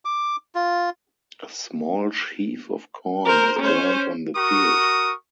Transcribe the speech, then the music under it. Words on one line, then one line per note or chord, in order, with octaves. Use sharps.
A small sheaf of corn is burnt on the field.
D6
F4
A#4 C5
C#4 C5
F#4 A#4 C#6 D#6